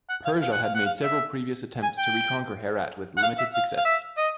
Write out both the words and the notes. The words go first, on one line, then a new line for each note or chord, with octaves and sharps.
Persia had made several previous attempts to reconquer Herat with limited success.
F#5
F5
F5
F#5
F5
F#5
F5
E5
G#5
G5
F#5
F5
E5
F5
F5
E5
D#5